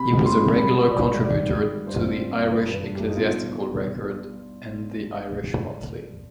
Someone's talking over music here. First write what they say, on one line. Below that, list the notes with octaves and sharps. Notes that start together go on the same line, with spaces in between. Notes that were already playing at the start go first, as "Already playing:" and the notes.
He was a regular contributor the "Irish Ecclesiastical Record" and the "Irish Monthly".
Already playing: C3 B5
G#3
C3 C6
C3
G3 B5
C4
G3 D5
G#2
D#3 D5
G3
G3
G3
G2 C5
C4
C4
G2
G2 B4
G2
B4
G2
G2 G4
D#4
B2 F4